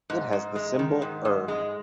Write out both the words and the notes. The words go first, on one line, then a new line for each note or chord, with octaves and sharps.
It has the symbol "erg".
G#2
G#2
G#3
D#3
G#2
G#2
G#3